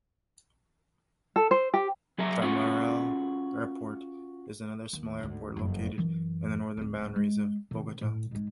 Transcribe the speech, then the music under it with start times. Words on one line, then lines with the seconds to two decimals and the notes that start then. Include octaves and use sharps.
Guaymaral Airport is another small airport located in the northern boundaries of Bogota.
1.36 A4
1.51 C5
1.74 G4
2.18 F#3 G#4 A#4 E5 A#5
2.42 C#4 F4 F#4 G#4
4.93 D#2
5.20 D2 G#2
5.57 F#1 F2
5.98 F#2 E3
6.77 D1 D4
7.16 G#3
7.71 C3 D#3
8.01 A2
8.31 G#2 G#3